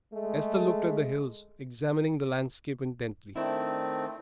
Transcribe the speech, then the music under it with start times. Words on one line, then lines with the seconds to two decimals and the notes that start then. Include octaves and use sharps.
Esther looked at the hills, examining the landscape intently.
0.13 G#3 A3
3.36 D#3 A3 C4 D4 E4